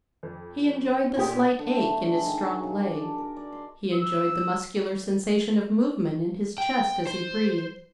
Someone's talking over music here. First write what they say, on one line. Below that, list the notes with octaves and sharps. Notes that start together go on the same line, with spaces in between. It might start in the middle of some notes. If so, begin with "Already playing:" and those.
He enjoyed the slight ache in his strong leg, he enjoyed the muscular sensation of movement in his chest as he breathed.
F2
A#2 A#3 G4 D#6
D3
A3
D3
G#4
D#3
F#4
C#3
D6
D4
A#4
D5
C6
E6
G5
C5